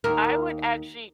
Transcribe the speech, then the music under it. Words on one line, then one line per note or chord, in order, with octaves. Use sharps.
I would actually
D#2 A#4